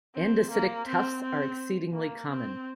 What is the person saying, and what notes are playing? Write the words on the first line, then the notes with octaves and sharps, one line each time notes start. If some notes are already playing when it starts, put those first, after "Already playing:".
Andesitic tuffs are exceedingly common.
C4
A#3
C4
C4
A#3
C4